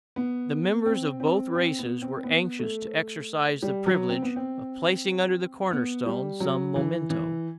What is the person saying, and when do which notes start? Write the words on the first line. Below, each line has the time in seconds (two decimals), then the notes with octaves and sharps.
The members of both races were anxious to exercise the privilege of placing under the corner-stone some momento.
0.16 B3
0.86 C4
1.20 C4
1.55 C4
1.79 B3
2.02 C4
2.24 B3
2.59 A3
3.62 G3
3.86 F#3
4.09 C4
4.22 B3
4.36 C4
5.71 B3
6.06 G3
6.40 F#3
6.76 E3
7.10 E3